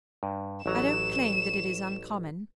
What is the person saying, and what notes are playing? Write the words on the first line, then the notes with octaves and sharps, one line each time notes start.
I don't claim that it is uncommon.
G2
A1 F#3 A#5 E7